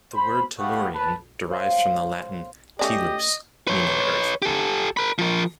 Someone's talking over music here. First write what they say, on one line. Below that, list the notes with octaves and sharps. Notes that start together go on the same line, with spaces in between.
The word tellurion derives from the Latin "tellus", meaning Earth.
C5 B5
A3 B3 F#4 G4 F5 F#5
B4 A5
C5 C#5 F5 C6
A3 C#4 G4 D5 D#5
B4 C#5
G4 A4
A#4 B5
F3 A#4